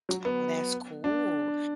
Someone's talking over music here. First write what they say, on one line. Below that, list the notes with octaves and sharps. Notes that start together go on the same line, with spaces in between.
Oh, that's cool.
F#3
B3
D4